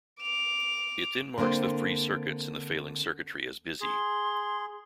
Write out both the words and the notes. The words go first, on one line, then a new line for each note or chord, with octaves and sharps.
It then marks the free circuits in the failing circuitry as busy.
D6 F7
D3 A#3 C4 D4 C5
G#4 C6